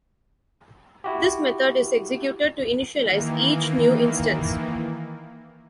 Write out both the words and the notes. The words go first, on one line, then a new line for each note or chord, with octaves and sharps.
This method is executed to initialize each new instance.
E4 F#4 G4
D#3 E3 A#3